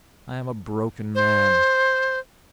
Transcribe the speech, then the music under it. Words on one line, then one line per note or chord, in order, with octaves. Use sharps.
I am a broken man.
C5